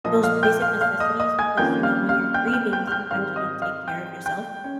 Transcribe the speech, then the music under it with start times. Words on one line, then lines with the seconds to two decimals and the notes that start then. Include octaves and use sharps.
those basic necessities because, you know, when you're grieving, sometimes you don't take care of yourself,
0.04 A#2 F3 A#3 F4 D#5 D#6
0.23 F5 F6
0.43 G5 G6
0.62 F5 F6
0.81 F5 F6
1.00 D#5 D#6
1.20 D#5 D#6
1.39 G#5 G#6
1.57 F2 D#3 A#3 C#4 F4 G5 G6
1.83 F5 F6
2.09 F5 F6
2.34 G5 G6
2.47 F6
2.53 G5 G6
2.73 G5 G6
2.88 F6
2.92 G5 G6
3.11 G#2 D#3 G3 C4 F5 F6
3.36 D#5 D#6
3.62 F5 F6
3.88 G5 G6
4.26 G5 G6
4.64 C#4